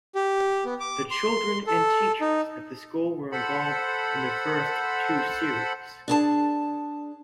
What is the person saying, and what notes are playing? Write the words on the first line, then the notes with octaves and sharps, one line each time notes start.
The children and teachers at the school were involved in the first two series.
G4
B3
D6
C6
A4
D#4
A4 C5 F#5 B5
D4 G#4 A5